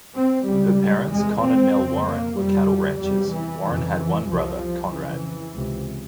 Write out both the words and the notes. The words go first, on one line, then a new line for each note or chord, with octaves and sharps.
Her parents, Con and Nell Warren, were cattle ranchers; Warren had one brother, Conrad.
C4
C#2 C#3 G3
E2 C3 G#3
C4
F2 C#3
A#3
F2 C3 G3
E2 C3 G3
E3
F2 C#3
E3
C2 C3 F3
F2 C#3 E3
C#2 C3